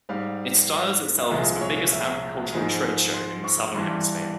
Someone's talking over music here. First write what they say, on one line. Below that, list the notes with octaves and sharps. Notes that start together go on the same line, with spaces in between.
It styles itself as "the biggest agricultural trade show in the southern hemisphere".
G#2 G3 F5
C2 A#2 F3 G#3 E5
C#5
E5
G#2 F3 G#3
C6
C#6
G2 E3 G3 C6